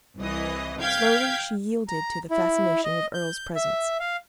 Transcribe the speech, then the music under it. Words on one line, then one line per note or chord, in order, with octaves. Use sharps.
Slowly she yielded to the fascination of Earle's presence.
C2 E3 D#5
F5 G5 G6 G#6 B6
A#5
E4
D#5
G6
E5
F5